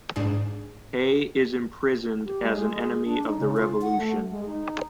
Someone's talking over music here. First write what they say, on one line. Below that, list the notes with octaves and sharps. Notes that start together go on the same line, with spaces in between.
Hay is imprisoned as an enemy of the Revolution.
G#2 D4 G#4
G4
G#3
G#4
D4
D#4
C#3
F4
F#5
A3
G#3
D#4